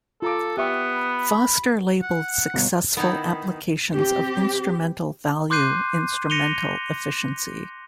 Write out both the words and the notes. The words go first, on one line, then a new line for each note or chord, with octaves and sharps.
Foster labeled successful applications of instrumental value instrumental efficiency.
F4 A4 A#5 D6
B3 G4 E5 C#6
B5
F#5
G1 B2
D#3 B3 D#4 E4
C4 G4
C6 D6 F#6 G6 C7 D#7
A#6 C#7 D#7 F7 G7